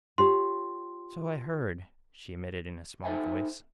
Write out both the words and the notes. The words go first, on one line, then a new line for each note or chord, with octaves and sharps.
"So I heard," she admitted in a small voice.
F4 G4 C#5 C6
D#4 A4 A#4 C5 E5 G#5